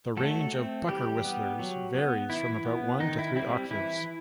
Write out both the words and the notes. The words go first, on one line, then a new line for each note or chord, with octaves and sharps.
The range of pucker whistlers varies from about one to three octaves.
F#3 A3 A4
A3 C4
E3 G3 G4
G3 B3
F#3
B3
E3 E4
B3
D#3 D#4
E4
G3 C4 E4
E3 E4